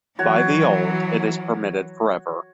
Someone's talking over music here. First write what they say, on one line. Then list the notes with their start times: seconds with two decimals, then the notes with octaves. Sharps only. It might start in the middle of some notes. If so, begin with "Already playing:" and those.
By the old it is permitted forever.
0.19 E3 F#3 F#4 C#5